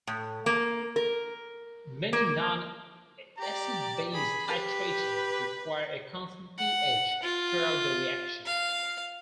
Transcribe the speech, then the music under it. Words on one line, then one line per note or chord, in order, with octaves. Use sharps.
Many non-acid-base titrations require a constant pH throughout the reaction.
A2
A#3
A#4
A#3
G4 D5 A#5
G#4 B5
G4 B4
F#5
F4
F5